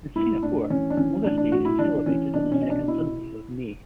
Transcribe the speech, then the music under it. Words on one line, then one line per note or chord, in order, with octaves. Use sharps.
In Singapore, Mother's Day is celebrated on the second Sunday of May.
A2 E4
A2 D4
E3 C#4
D4
E3 C#4
A2 D4
D4
A2 F#4
E4
E3 D4
E3 C#4
B2 D4
C#4
B2
D4
B2 E4